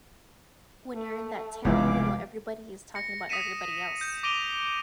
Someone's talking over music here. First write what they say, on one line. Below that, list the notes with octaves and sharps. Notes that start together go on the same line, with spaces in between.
When you're in that town you know everybody is talking about everybody else.
A3
F1 C#2 E3 G#3 B3 F5 D6
A#6 C#7
D#6 A#6 B6 C#7 D#7 E7
G6
D6 A#6 D7 D#7 F7 G7